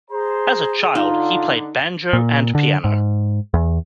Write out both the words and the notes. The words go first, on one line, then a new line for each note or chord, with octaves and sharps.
As a child, he played banjo and piano.
G#4 C5 A#5
D3 D#4 F4
A#2
D3
G#2
E2